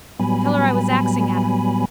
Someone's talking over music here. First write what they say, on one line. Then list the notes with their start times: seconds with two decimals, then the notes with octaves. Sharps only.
Tell her I was axing at her.
0.20 A2 F#3 G3 B3 G#5 B5